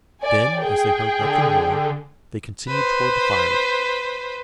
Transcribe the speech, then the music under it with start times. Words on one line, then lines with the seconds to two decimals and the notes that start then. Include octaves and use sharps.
Then, as they heard nothing more, they continued toward the fire.
0.22 D5 G#5
0.61 G#4 G5
1.21 D3
2.67 B4 C5